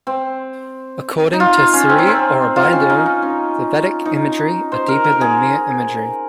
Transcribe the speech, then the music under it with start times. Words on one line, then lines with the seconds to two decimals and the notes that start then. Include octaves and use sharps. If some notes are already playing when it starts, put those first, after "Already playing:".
According to Sri Aurobindo, the vedic imagery are deeper than mere imagery.
0.07 C4
1.33 D#4
1.40 F4
1.57 F4
1.73 C#4
1.89 C4
1.99 C#4
2.07 C4
2.56 F4
2.64 D#4
2.73 C#4
2.90 D#4
3.06 D#4
3.22 C#4
4.05 D#4
4.72 C5
4.88 A#4
5.04 A#4
5.21 G#4